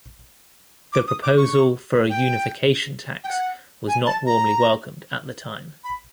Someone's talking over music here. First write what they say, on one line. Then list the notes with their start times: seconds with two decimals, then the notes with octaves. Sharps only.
The proposal for a unification tax was not warmly welcomed at the time.
0.93 D6
1.07 D#6
1.23 D6
1.37 C#6
2.10 G5
3.24 G5
3.28 F#5
3.87 G#5
4.06 A5
4.26 A#5
5.84 B5